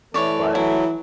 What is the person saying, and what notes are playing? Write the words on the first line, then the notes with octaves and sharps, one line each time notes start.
Uh, but,
E3 A3 B4 C#5 D5
E3 F#3 E4